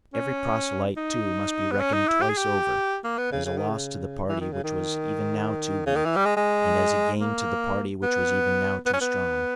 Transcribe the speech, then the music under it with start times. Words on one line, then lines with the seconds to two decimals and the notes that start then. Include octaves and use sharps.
Every proselyte too must be reckoned twice over, as a loss to the party which was even now too weak, and as a gain to the party which was even now too strong.
0.14 C#4
0.97 D#4
1.72 B3
1.80 C#4
1.93 D#4
2.08 E4
2.22 G4
2.29 G#4
2.37 G4
3.04 A#3
3.18 B3
3.32 C#3
3.46 C#3
3.57 D#3
3.69 C#3
4.29 E3
4.41 D#3
4.52 C#3
4.64 D#3
5.86 C#3
5.95 D#3
6.05 E3
6.16 G3
6.26 G#3
6.37 G#3
7.20 A#3
8.02 B3
8.86 B3
8.93 C#4
9.01 B3